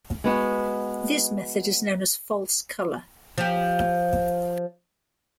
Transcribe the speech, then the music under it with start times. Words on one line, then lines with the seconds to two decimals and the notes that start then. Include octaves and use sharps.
This method is known as false color.
0.24 G#3 B3 F#4
3.38 F3 G4